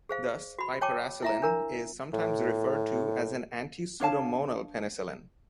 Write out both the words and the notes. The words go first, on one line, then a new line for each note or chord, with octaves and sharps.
Thus piperacillin is sometimes referred to as an "anti-pseudomonal penicillin".
G#4 C5 F5
F#4 B5
C#5 G5 A5 D6
E4 E5 A#5
D4 A#4 A#5
A2
D4 C#5 F5 A5